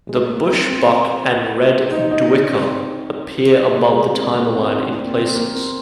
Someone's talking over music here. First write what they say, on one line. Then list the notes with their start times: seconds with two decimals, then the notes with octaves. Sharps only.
The bushbuck and red duiker appear above the timerline in places.
0.09 G#3
0.30 A#3
0.49 C4
0.70 C4
1.91 D#4
2.11 D#4
2.31 D4
2.52 C4
3.73 A#3
3.93 G#3
4.13 C4
4.28 C4
4.33 A#3
4.54 C4
4.70 C4
4.74 D4
4.94 C4
5.05 A#3
5.15 C4
5.35 A#3
5.55 C4